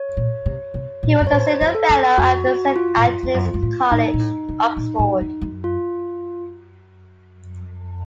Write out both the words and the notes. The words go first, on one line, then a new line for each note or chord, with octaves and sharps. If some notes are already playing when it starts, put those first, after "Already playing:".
He was a Senior Fellow at Saint Antony's College, Oxford.
Already playing: C#5
A#2
C3
C3
A#2
F#2
C#5
A2 C5
F2
A4
F2
F2 F#4
F#4
F4
A2
F#2
F2
F#2
F2
F#2
A2
A2 D#4
A#2
A2
C3
A#2
A2
F2
F#2
F4